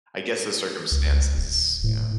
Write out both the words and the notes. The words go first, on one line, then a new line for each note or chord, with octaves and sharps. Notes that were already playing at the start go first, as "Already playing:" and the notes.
I guess the circumstances yeah.
C#2
D1
A2